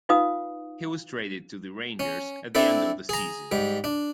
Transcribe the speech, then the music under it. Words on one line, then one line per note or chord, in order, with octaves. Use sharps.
He was traded to the Rangers at the end of the season.
D#4 F4 B4 F5 D#6
C#4
C4 D4 E4 A4
G#4 A#5
G#2 G3
D4